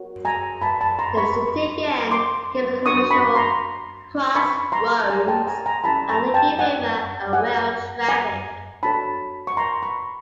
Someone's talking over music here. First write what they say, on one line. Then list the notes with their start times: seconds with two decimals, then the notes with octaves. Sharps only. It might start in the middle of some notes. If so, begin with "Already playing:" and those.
The city again became a commercial crossroads, linking river and rail traffic.
Already playing: F#4 A#4 C#5
0.25 G#5 A#5
0.62 A5 B5
0.81 A5 B5
0.99 A#5 C6
1.17 B5 C#6
2.11 C6 D6
2.85 D4 F#4 A#4 C#6 D#6
3.11 B5 C#6
3.35 A#5 C6
4.35 B5 C#6
4.72 A#5 C6
5.10 G#5 A#5
5.28 G5 A5
5.47 G#5 A#5
5.66 G#5 A#5
5.84 C#4 E4 G4 A5 B5
6.09 G#5 A#5
6.34 G5 A5
6.59 F#5 G#5
7.33 F#5 G#5
8.09 G#5 A#5
8.83 D4 F#4 A4 C#5 A5 B5
9.47 C#6
9.57 A#5 C6
9.83 B5 C#6